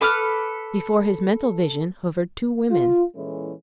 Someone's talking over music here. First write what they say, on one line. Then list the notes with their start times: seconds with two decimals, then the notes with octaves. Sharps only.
Before his mental vision hovered two women.
0.01 A4 B4 D6 F6
2.70 F4
3.14 A#2 E3 G#3 C#4 E4 A4